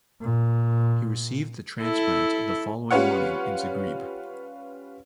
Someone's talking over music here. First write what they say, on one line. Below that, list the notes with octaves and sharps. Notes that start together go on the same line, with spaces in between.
He received the transplant the following morning in Zagreb.
A#2
E4 A4
G3 C#4 F4 B4 C#5 F#5